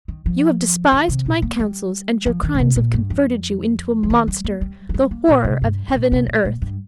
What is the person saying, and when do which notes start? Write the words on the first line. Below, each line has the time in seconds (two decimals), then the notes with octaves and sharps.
You have despised my counsels and your crimes have converted you into a monster, the horror of heaven and earth.
0.08 D#3
0.26 F3
0.92 D#3
1.09 C3
1.26 A#2
1.42 A#3
1.59 G3
2.26 F3
2.43 D#3
2.54 A#2
2.60 C3
2.76 A#2
2.94 G2
3.10 F2
4.03 F3
4.10 D#3
4.28 G3
4.45 A#3
4.61 G3
4.89 F3
4.94 G3
5.11 A#3
5.28 A#2
5.44 C3
5.62 G2
5.88 G2
5.95 A#2
6.12 C3
6.27 A#2
6.45 A#2
6.62 G2